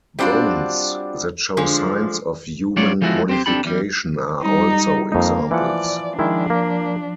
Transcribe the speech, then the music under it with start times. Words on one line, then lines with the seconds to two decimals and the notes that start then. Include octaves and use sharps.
Bones that show signs of human modification are also examples.
0.19 G3 C4 D4 F4 F#4
1.57 D3 F3 G#3
2.76 F#3 G3 C#4 F4 C#5 D5
3.02 F3 G#3 A3 E4 F#4
3.29 C4 G4 C5
3.46 C4 D4 G4 A4 B5
3.65 E2 G3
4.42 G3 D#4
5.12 F2 A#3 D#4
5.51 E3 F3 D5 F#5
6.19 D#3 F3 G#3 D4 E4
6.50 A#3